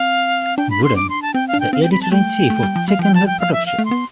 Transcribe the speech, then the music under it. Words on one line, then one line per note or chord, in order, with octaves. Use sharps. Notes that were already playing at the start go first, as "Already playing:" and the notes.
Wooden, the Editor in Chief of Chickenhead Productions.
Already playing: C4 F5
D4 G5
B5
C6
D6
C6
A5
C4 G5
F5
D4
G5
C4 F5
G5
B5
A5
A3 G5
A3
G3
F3
G3 F5
F3 G5
A5
G5
F5
E5
F5
A3
C6
B3